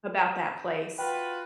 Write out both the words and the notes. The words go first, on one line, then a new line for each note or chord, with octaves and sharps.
about that place.
F4 F#4 B4 G5